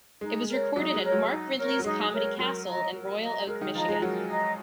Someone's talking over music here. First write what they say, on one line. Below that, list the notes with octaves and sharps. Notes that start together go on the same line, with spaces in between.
It was recorded at Mark Ridley's Comedy Castle in Royal Oak, Michigan.
G#3 D#4
A#4 C#5
F#3 D#4
G#3
A#4 C#5
F#3
D#4
A#4 C#5
F#3
G#3 D#4
A#4 C#5
F#3 A#4
D#5 A#5
A#4
D#5 A#5
G#3 A#4
D#3 D#4
F3 F4 D#5 A#5
G#3 G#4
F#3 F#4 A#4
D#5 A#5